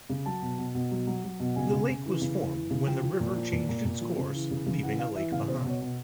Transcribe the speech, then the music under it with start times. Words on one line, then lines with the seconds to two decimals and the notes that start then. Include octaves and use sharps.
The lake was formed when the river changed its course leaving a lake behind.
0.10 C#3
0.26 F#3 A5
0.42 B2
0.58 B2
0.75 B2
0.91 F#3
1.07 F#3
1.24 F#3
1.40 B2
1.56 C#3 G#5
1.73 C#3
1.89 C#3
2.06 E3
2.22 C#3
2.38 E3
2.55 E3
2.71 C#3
2.87 F3 G5
3.03 F3
3.20 A#2
3.36 F3
3.52 A#2
3.69 A#2
3.85 A#2
4.01 F3
4.18 C#3
4.34 E3
4.51 C#3
4.66 C#3
4.83 E3 F#5
4.99 E3 F5
5.15 E3 E5
5.31 C#3 F5
5.48 B2 C5
5.65 B2 C#5
5.81 B2